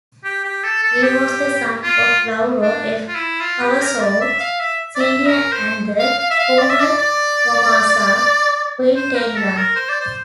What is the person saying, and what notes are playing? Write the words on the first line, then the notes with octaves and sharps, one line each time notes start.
He was the son of Lauro F. Cavazos, Senior and the former Tomasa Quintanilla.
G4
G4
A4
A4
G4
F4
D4
F4
E4
F4
G4
A#4
D5
E5
F5
E5
D5
E5
A#4
C5
F5
F5
E5
F5
D5
E5
D5
D5
C5
A#4
A4
A#4
C5
D5
C5